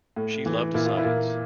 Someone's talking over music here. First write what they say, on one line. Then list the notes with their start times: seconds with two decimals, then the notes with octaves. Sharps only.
She loved science.
0.16 A2
0.46 E3
0.74 A#2 E4
0.86 F4
0.97 E4
1.04 A#2